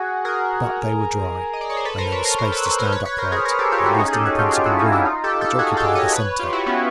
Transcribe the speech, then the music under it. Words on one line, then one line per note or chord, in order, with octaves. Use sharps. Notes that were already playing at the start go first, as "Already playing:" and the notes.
But they were dry, and there was space to stand upright, at least in the principal room, which occupied the center.
Already playing: F#4 G#4
G#4 A#4
D#5
D5
C#5
C5
A4 B4
A#4 C5
B4 C#5
A#4 C5
A#4 C5
A4 B4
A4 B4
A#4 C5
B4 C#5
B4 C#5
A#4 C5
G#4 A#4
G#4 A#4
G4 A4
F4 G4
E4 F#4
C#4 D#4
G#4
G4 A4
F#4 G#4
F4 G4
F4 G4
E4 F#4
C#4 D#4
D4 E4
D#4 F4
G4 A4
G4 A4
F#4 G#4
G4 A4
C#5 D#5
B4 C#5
F4 G4
E4 F#4
B3 C#4